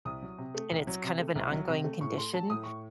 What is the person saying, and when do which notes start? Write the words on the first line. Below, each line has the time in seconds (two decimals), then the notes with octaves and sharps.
and it's kind of an ongoing condition,
0.05 C2 D#6
0.22 F#3
0.38 C3
0.55 A3
0.71 C2
0.87 F#3
1.04 C3
1.19 A3
1.35 C2
1.52 F#3
1.68 C3
1.84 A3
2.00 A2 C#6
2.17 A3 C6
2.34 F#3 A5
2.50 A2 D#6
2.64 A2 C#6